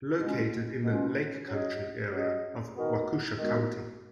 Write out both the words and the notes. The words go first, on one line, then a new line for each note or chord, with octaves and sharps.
Located in the "Lake Country" area of Waukesha County.
B2 G#3 C#4 F4
B2 G#3 C#4 F4
F#3 C#4 G#4 D#5
F#3 C#4 G#4 D#5
D#3 G#3 B3 F#4 A#4
D#3 G#3 B3 F#4 A#4